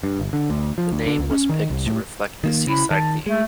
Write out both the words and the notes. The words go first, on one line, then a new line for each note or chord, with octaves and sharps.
The name was picked to reflect the seaside theme.
G2
G1
D3
D2
F3
D2
D3
C#2
C#4
D#3
C2
A2
D#3 A#3
C#3 E4
D#3 A5
G#3 A3